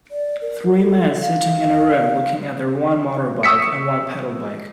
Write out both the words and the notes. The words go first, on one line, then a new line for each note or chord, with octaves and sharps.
Three men sitting in a room looking at their one motorbike and one pedal bike.
D5
A#4
A4
F5
C#6 D#6 E6 B6 C#7